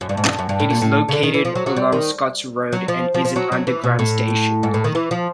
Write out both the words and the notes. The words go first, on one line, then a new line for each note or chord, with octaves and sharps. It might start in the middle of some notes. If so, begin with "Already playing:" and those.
It is located along Scotts Road and is an underground station.
F#2
G2
G#2
G2
F#2
G2
A2
A#2
A2
C#3
D3
D#3
E3
F3
F#3
F#3
G3
D#3
F#3
F3
F3
F3
F#3
F#3
E3
B2
A2
G#2
A2
D#3
E3
F3